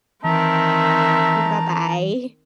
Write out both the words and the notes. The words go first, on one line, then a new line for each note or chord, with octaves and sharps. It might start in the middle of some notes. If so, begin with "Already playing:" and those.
M Bye-bye.
D#3 E3 C4 E5 A5 A#5